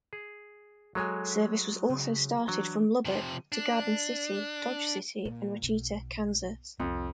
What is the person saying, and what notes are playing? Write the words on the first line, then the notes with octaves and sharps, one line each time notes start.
Service was also started from Lubbock, to Garden City, Dodge City, and Wichita, Kansas.
G#4
F#3 G#3 A4 C#5 G#5
C#3
E3 F#3 D4
C3 F3
D4
A#2
B1 B2
C2 F2